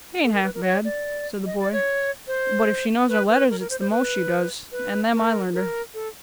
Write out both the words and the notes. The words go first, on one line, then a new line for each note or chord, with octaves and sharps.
'She ain't half bad,' said the boy; 'but if she knows her letters it's the most she does--and them I learned her.'
A4
A#4
B4
A#4
C#5
D5
D#5
D5
C#5
C5
B4
B4
A#4
A#4
C5
C5
B4
B4
A#4
A#4
A4